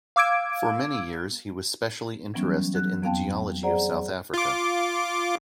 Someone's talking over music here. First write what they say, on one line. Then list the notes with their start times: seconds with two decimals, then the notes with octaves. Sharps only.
For many years he was specially interested in the geology of South Africa.
0.16 F5 D6 E6 G#6 D7
2.34 E3 F#3 G3 B3 C#4
2.74 F#3 F#6
3.02 F2 B3 C4 F5 G5 A5
3.63 G#4 C5 D5 F#5 A#5
4.34 F4 D6